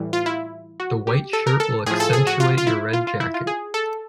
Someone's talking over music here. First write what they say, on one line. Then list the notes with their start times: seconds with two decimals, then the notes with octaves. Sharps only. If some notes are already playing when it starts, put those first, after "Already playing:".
The white shirt will accentuate your red jacket.
Already playing: A2 E3 G3
0.13 F4
0.26 E4
0.80 F#4
1.07 G4
1.33 A4
1.47 A#4
1.60 A4
1.86 A2 F3 G#4
2.00 A4
2.13 G#4
2.27 F#4
2.40 F4
2.58 F4
2.67 E4
2.93 F4
3.07 F4
3.20 E4
3.34 F4
3.47 G#4
3.74 A4